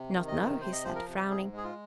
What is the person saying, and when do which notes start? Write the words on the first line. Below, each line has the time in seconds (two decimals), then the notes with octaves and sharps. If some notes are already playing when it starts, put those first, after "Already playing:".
"Not know," he said, frowning.
Already playing: C3
0.15 D#3
0.28 D#5
0.39 C3
0.61 C3 C5
0.72 D#5
0.84 F3 C5
0.95 A#4
1.07 C3
1.30 G#2 G#4
1.53 G#3 G#4
1.64 F4